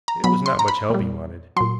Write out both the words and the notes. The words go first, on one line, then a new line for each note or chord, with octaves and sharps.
It was not much help he wanted.
A#5
B2 F#3 B5
C6
A#5
B5
A#2 G3
A#2 F#3 C6